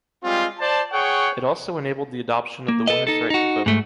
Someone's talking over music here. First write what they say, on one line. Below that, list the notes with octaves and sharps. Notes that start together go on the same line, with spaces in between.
It also enabled the adoption of the women’s right to vote.
G3 G#3 C4 F4
C5 D5 A5
G#4 C#5 F#5 G5 C#6
A#3
A4 B4 D#5
D#4 A4
D#4 F#4
G#2 A3